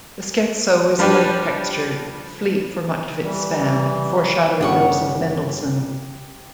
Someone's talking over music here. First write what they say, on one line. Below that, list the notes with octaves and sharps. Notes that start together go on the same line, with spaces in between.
The scherzo is light-textured, fleet for much of its span, foreshadowing those of Mendelssohn.
F3 G3 D4 G4 B4
E3 G3
G1 C#3 G4 F#5 C#6